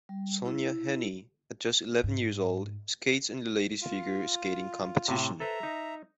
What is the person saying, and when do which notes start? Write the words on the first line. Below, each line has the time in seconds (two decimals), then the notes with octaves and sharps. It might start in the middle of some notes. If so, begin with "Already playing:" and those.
Sonja Henie, at just eleven years old, skates in the ladies' figure skating competition.
0.09 G3
0.45 E4
2.04 G#2
3.82 F4
5.08 A2 C3
5.40 A4 B4 C5 E5 A#5
5.63 D#4